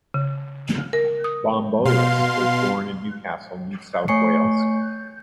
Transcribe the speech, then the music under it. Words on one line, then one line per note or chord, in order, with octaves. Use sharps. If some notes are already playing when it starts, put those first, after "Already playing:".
Bombolas was born in Newcastle, New South Wales.
C#3
A#4
D#6
B2 F5 C6
A3 C#5 G#5 C#6 C7 C#7